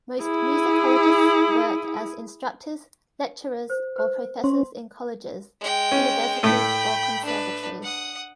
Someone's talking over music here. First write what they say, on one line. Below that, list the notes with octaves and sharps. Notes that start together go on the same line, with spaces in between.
Most musicologists work as instructors, lecturers or professors in colleges, universities or conservatories.
E4 G#4
C5
B4 C5
C#4 C6
G#3 G5
C#4
A2 A3 G5 B5
D4 B4
F#5 D#6